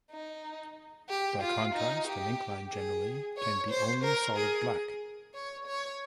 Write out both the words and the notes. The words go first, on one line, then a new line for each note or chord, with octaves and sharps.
By contrast, an ink line generally can be only solid black.
D#4
G4
F4
D#4
G4
G#4
C#5
C5
A#4
G#4
C#5
C#5